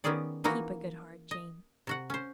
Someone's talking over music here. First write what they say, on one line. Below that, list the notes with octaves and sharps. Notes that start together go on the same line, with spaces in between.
'Keep a good heart, Jane.
D#3 B3 C#4 G4 G#4 D5
E3 A#3 D#4 E4 F#4
D#5
C3 F#4 F#5
C#4 C5